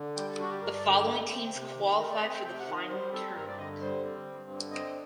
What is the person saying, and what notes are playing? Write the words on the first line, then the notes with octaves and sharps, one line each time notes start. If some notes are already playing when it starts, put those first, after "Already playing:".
The following teams qualify for the final tournament.
Already playing: D3
G3 G5
A4
D4 F#4
G4
G2 A#4
D5
D3 A#4
A3
C4
C3
D#3
A3 A#4
D5
C4 D#5
G5
C3 G5
F#5
D#3
D#5
G3 C5
C4 A4
G2 A#4
D5
D3 D#5
G3 C5
C4
G2
D3
C4 D#5